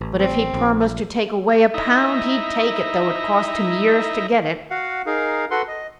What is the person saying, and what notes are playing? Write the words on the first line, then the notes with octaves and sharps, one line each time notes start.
But if he promised to take away a pound, he'd take it, though it cost him years to get it.
A1
C4
A#1
D#4 E4 D#5 E5 A#5
F#4 F5 F#5
D#4 G#4 A#4 F5
F#4 A4 B4 F#5 C6
D#5